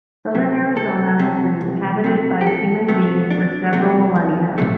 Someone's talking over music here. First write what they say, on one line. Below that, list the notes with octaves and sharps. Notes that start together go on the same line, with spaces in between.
Southern Arizona has been inhabited by human beings for several millennia.
C3 F#3
C2 A4
C3 F#3
C2
C3 F#3
G4
E2 A4
C3 F#3 A3 B3
E2 D4
C3 F#3 A3
E2
C3 F#3 A3